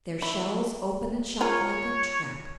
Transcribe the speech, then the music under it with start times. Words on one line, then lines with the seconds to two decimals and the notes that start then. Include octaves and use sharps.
Their shells open and shut like a trap.
0.22 E4
1.41 F4 G#4 A#4 C#5